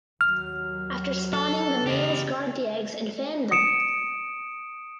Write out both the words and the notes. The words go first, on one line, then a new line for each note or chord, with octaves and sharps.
After spawning the males guard the eggs and fan them.
D#2 F#3 F6
A4
C#3 G4 D#5
D#6 C#7 D7 E7